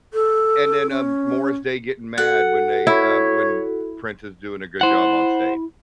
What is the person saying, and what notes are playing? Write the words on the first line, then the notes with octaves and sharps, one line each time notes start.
and then, um, Morris Day getting mad when they, um, when Prince is doing a good job on stage.
A4
C#4
F#4 A4 F#5
E4 C#5
E4 C5 F#5